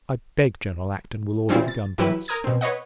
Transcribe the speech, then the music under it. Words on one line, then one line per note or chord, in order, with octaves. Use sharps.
I beg General Acton will order the gun-boats.
E3 G3 C4 C#4 E4 F4
A6
E3 F#3 E4 G4 B4
A#4 A#5 D#6 G#6
B2 C4
B4 C#5 D#5 F#5